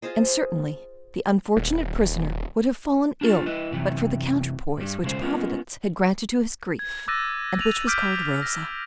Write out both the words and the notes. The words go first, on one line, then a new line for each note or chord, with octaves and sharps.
And certainly the unfortunate prisoner would have fallen ill but for the counterpoise which Providence had granted to his grief, and which was called Rosa.
F4 G#4 C5 D#5
D#1
D4 F4 G#4 A4
E4 B4 D#5
F#2 C3 E3 F#3
G2 G3
B1 C#3 F3 G#3 C5
G#3 B3 C#4 F4 A#4
G#6
D6 E6 F#6 A6 A#6 D#7
D#7 F7 F#7
D6 F6 G6 B6 D7
A#6